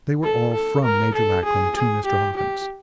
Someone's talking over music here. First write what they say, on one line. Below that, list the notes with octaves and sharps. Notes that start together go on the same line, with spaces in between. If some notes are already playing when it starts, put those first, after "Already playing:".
They were all from Major Lackland to Mr. Hawkins.
A4
A4
A#4
A4
G#4
G#4
G4
G4